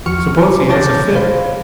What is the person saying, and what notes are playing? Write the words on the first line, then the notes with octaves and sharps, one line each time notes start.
"Suppose he has a fit!"
E2 F3 F#4 C#6 F6 C#7
C#5 A5 D6 G6 A6 A#6
C5 F5 B5